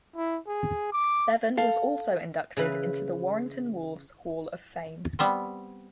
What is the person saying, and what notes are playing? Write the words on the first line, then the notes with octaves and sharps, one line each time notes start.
Bevan was also inducted into the Warrington Wolves Hall of Fame.
E4
G#4
D6
A4 F5
C#3 E3 E4 B4
G3 B3 C4